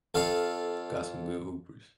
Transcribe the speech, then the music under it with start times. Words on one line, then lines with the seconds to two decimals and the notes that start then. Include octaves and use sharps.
Got some good hoopers.
0.14 F2 A4 F5